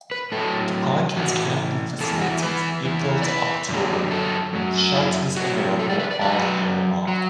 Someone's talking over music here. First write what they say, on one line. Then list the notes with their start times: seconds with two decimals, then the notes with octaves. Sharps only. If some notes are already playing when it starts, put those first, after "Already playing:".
The park has camping facilities April to October, and shelters available all year long.
0.11 B4
0.32 A2 F#3 A4
1.17 A2 E3 F#4
2.00 E2 E3 A4
2.21 F#4
2.43 B4
2.85 E2 E3
3.22 D5
3.27 B4
3.69 F#2 D3 F#3
4.11 A4
4.53 F#2 F#3
4.95 E4
5.37 A2 F#3 F#4
5.79 A4
5.90 D5
6.00 B4
6.11 D5
6.21 F#2 F#3 B4
7.07 F#3